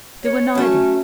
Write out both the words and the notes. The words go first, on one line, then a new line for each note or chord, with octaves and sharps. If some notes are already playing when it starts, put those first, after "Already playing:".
They were neither.
D#2 C#4 C#5
F#3 A3 C#4